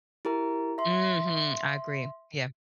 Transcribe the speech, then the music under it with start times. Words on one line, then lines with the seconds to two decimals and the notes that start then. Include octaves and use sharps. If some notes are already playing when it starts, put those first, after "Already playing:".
Mhm, I agree. Yeah.
0.25 E4 G4 A#4 A#5
0.78 E5 C6